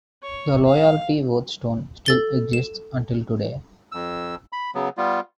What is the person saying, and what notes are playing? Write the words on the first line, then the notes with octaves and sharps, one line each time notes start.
The loyalty oath stone still exists until today.
C#5
F5
A4 A6 G7
E7
F2 E6
B5
C#3 F#3 B3
G3 B3 F4